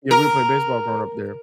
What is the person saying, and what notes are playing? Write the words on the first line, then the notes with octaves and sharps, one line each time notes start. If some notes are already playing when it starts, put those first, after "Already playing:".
yeah, we would play baseball growing up there,
A#4